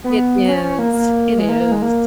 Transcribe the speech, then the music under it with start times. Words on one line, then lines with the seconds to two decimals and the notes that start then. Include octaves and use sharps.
It is. It is.
0.04 B3
0.49 C#4
0.63 C#4
0.79 A#3
0.93 A#3
1.38 G#3
1.49 A#3
1.60 A#3
1.72 G#3
1.82 A#3